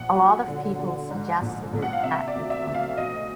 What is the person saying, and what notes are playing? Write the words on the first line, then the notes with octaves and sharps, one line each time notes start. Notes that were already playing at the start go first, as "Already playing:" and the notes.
A lot of people suggested it at the time.
Already playing: A#1 F#5
F#3
D3
D3
G#2
A#1
A#1
F#5
F5
C3 E5
D5
D2
E5
D2
F5
B1 D#5